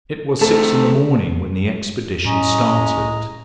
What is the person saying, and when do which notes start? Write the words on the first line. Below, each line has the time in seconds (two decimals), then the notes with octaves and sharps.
It was six in the morning when the expedition started.
0.41 A3 C4 A4
2.25 A2 G#3 C#4 D#5 A#5